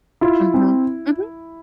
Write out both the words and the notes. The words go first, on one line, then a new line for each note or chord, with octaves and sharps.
Mhm. Mhm.
E4 F4
C4